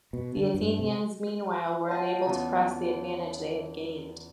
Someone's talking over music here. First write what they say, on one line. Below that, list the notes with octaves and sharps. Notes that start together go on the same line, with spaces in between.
The Athenians, meanwhile, were unable to press the advantage they had gained.
B2
D3
G2
C3
F4 C#5 D#5 F#5 A5 C6
E2 C#3